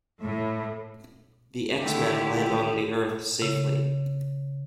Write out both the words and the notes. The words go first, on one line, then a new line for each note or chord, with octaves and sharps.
The X-Men land on the Earth safely.
A2
D3 D#3 A3 E4 G4
C#3